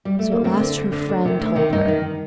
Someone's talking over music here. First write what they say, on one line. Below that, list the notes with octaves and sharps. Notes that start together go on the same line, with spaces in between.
So at last her friend told her.
G3
A3
A#3
D2 C4
D3
D2
D3
D2 D4
C3 D#3
D2
C3 D#3
G2 D#4
D#3